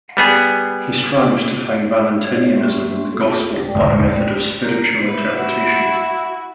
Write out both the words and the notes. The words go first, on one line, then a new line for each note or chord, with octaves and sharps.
He strives to find Valentinianism in the Gospel by a method of spiritual interpretation.
G3 B3 G#4
D#4 F4 F#4 B4 C#5
G3 A#3 E5 C6 C#6
C4 F#4 G#4 A4
F4
G#3 A3 D5 G5
A#4
E4 B4
F#4